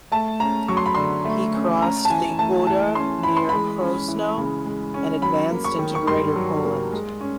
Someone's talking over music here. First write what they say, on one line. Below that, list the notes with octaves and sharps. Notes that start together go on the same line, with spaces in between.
He crossed the Oder near Krosno and advanced into Greater Poland.
A3 A5
C#4 A#5
F#3 C#6
C6
B5
D3 C6
A3
C#4
C#4 A#5
A5
E3 G#5
A3 A5
E3 A5
C#4 C6
E3 B5
C6
G#3 B5
C#4
E3
C#3
G#3
C#4
F#3 B5
A#3
C#6
D#3
C#6
G2 C6
F#3
A#3
G#3
C#4